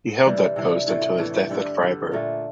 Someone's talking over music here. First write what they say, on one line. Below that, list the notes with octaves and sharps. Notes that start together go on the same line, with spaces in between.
He held that post until his death at Freiburg.
C3 E3 G3 D4
C3 E3 G3 D4
A2 E3 A3
A2 E3 A3
G2 D3 G3
G2 D3 G3
A#2 A3 D4 F4